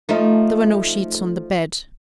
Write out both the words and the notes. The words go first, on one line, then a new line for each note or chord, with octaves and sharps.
There were no sheets on the bed.
F3 A3 D#4